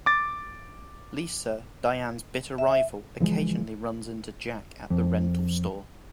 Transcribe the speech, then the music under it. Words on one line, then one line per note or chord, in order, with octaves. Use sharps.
Lisa, Diane's bitter rival, occasionally runs into Jack at the rental store.
D6 A6
E5
C#3 E3 F3 G#3
F2